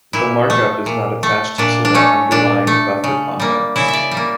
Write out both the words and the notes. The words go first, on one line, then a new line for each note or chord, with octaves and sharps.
The markup is not attached to the underlying buffer contents.
A#2 E4
A3
A#2
A3
A#2 D4
D4
A3 C#4
A#2 D4
A3
C#3
G3 A#3
C#3 E4
D5 E5
G3
A#3